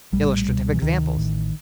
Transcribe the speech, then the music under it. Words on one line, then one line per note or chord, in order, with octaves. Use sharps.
Illustrative examples.
A#1 A2 G3
C#2 B2
E3
D2 C3 D#3
A1 A2